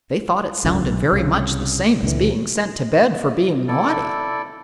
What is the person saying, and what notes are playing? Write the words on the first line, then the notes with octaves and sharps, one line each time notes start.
They thought it sounded very much the same as being sent to bed for being naughty.
G#1 C#2 F#2 D3
B1
C2 C#3
C#2 A#2 D3 E3
E4 A4 D5